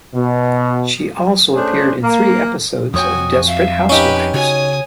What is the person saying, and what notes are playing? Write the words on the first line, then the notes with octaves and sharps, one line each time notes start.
She also appeared in three episodes of "Desperate Housewives".
B2
A3 C#4 D4 G#4 C5
A#3
F2 F#4 C#5 G5 G#5 D#6
E5 F5
C#4 D#4 G4 B4
C#3 F#4 C#5 G#5 D#6